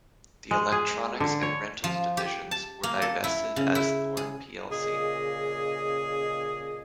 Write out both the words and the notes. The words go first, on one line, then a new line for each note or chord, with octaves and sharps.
The electronics and rentals divisions were divested as Thorn plc.
G#3
G#4
D3
C#5
F3
G4
A5
A#3
A4
E4
C#3
E4
G#4
A#2 C#3 G#4 D#5